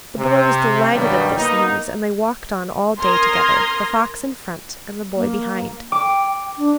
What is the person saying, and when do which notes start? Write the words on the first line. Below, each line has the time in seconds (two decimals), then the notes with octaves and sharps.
The boy was delighted at this news, and they walked on all day together, the fox in front, and the boy behind.
0.17 C3
0.94 G2 B2 D#3 F#3 G3
1.37 A#3 B3 D#4
3.00 A#4 C6 D#6 F6 G#6 A#6
5.15 A#3
5.92 G5 D6
6.57 D4